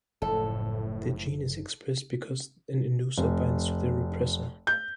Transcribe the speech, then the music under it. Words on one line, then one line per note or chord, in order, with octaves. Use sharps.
The gene is expressed because an inducer binds to the repressor.
F#1 A2 F3 A4
F1
G6